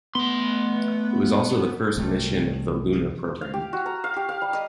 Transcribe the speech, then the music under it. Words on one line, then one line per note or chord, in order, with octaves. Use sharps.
It was also the first mission of the Luna programme.
A3 B3 C6
C2 C3 G3 A3
F5
G4
F#4
A#5
F5
G4
F5
G3
D#5